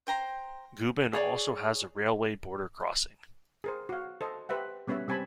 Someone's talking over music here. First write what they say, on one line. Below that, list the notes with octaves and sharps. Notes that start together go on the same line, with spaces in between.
Gubin also has a railway border crossing.
C5 G5 A#5 C6
G#4 C#5 D5
G#4 A#4 C5
F#4 F5
A4 C5 D#5
G4 B4 C5 E5 F#5
G3 B3 C#4 B4 C#5 E5
G3 C4 G#5 A5 B5